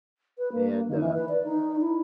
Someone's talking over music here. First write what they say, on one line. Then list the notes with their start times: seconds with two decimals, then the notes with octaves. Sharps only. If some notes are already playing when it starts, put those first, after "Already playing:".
and, uh
0.38 B4
0.52 A#3
0.72 A#3
0.88 D#3
1.00 E3
1.14 B4
1.29 D5
1.44 D#4
1.81 E4